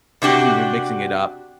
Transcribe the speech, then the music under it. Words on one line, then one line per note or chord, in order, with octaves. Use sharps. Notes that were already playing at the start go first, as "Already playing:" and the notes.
so we've been mixing it up,
C3 D4 F#4 G4